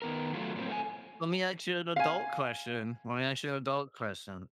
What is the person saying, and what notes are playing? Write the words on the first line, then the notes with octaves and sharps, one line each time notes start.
Let me ask you an adult question, let me ask you an adult question.
D#3 B3 A#4
F#3 A3 F4
A2 F#3 A#3 C4
A3 F#4 G#5
F5 G#5